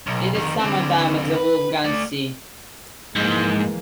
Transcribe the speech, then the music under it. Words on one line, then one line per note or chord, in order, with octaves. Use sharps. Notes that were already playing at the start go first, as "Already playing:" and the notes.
It is summertime at the Wolfgangsee.
B1
F2 D#3
D3 C4
B4
A3 D5
G#2 E3 F3 G#3 A#3